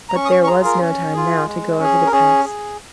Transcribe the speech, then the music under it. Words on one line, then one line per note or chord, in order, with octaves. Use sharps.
But there was no time now to go over the past.
A#5
C#4 C#6
D#6
C#6
C#6
F4 G#4 A#5
A#4
C#4
F4 G#4
G#3
C#4 G#4
A#4
C#4 G#4
G#4